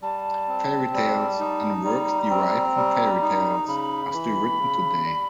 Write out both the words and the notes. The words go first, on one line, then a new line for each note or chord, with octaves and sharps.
Fairy tales, and works derived from fairy tales, are still written today.
G3 A5
C4
G3
D#4
G3 A#5
C4
G3
D#4
C#3 B5
E3
C#3
G3